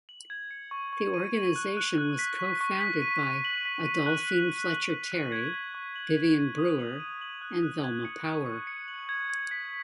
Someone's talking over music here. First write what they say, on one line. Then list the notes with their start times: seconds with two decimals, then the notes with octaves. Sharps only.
The organization was co-founded by Adolphine Fletcher Terry, Vivion Brewer, and Velma Powell.
0.09 F#7
0.30 G#6
0.51 C#7
0.71 C#6
0.93 C#6
1.14 D#7
1.34 F#7
1.56 F#6
1.77 F#6
1.98 F#6
2.19 B6
2.39 C#6
2.61 C#6
2.81 B6
3.02 D#7
3.23 C#6
3.45 F#7
3.65 B6
3.85 D#7
4.06 F#6
4.27 F#7
4.49 D#7
4.70 F#7
4.90 F#6
5.12 F#6
5.32 G#6
5.54 B6
5.74 C#6
5.96 F#7
6.17 B6
6.37 D#7
6.58 D#6
6.79 F#7
7.00 D#7
7.21 F#7
7.41 F#6
7.63 F#6
7.84 G#6
8.05 C#7
8.26 C#6
8.46 C#6
8.67 C#7
8.88 F#7
9.09 G#6
9.30 G#6
9.51 B6